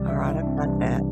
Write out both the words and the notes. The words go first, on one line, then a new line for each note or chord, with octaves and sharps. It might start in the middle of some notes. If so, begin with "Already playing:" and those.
Alright, I've got that.
Already playing: C2 C3 E3 G3 D5
E5
E4
D4
C4
C2 C3 E3 G3 D4